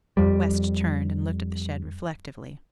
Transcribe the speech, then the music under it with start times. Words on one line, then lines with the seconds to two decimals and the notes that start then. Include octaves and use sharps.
West turned and looked at the shed reflectively.
0.17 F2 G3